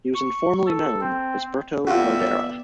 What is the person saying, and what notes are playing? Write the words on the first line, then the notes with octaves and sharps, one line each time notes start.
He was informally known as Berto Lardera.
C#6
A4
C4
F2 B3 F4 F#4 D5 E5